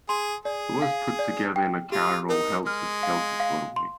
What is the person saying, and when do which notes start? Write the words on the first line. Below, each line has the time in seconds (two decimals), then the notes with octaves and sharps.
It was put together in a casual, helter-skelter sort of way.
0.09 G#4 C6
0.45 G#4 D5
0.82 F5
1.19 D5
1.56 G5
1.92 F4 G4
2.29 D#4 A#4
2.66 G#3 F6
3.03 F5
3.40 F5
3.76 C6